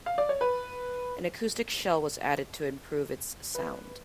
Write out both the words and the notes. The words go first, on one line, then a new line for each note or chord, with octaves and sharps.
An acoustic shell was added to improve its sound.
F5
D5
C#5
B4
B4